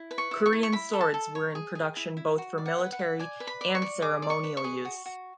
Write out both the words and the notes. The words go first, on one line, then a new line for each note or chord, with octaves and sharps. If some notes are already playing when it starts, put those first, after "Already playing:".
Korean swords were in production both for military and ceremonial use.
Already playing: E4
B4
C#6
E4
C#6
E4
C#6
E4 B5
A4
A5
A4
C#5
G#4
G#4
E4
E4
F#4
D5
F#5
B4
F#5
B4
D5 G#5
B4
B5
D5
C#6
D5
G#4 D6
D5
C#6
B4
C#6
G#4
F#4
F#4